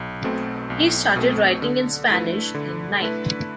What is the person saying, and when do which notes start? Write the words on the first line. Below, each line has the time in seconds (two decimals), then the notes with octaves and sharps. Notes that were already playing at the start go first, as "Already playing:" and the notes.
He started writing in Spanish in "Night".
Already playing: B1
0.24 B2 A3 C4
0.70 B1
1.16 B2 A3 C4
1.62 D3
2.09 A3 E4 B4
2.55 D3
3.02 A3 E4 B4